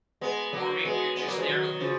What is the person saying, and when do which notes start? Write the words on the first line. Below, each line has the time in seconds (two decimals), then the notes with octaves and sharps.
or maybe you're just there to loot,
0.21 G#3 B3
0.53 F#3 A#3
0.85 G#3 B3
1.17 G#3 B3
1.28 F#3 A#3
1.38 F3 G#3
1.49 D#3 F#3
1.81 C#3 F3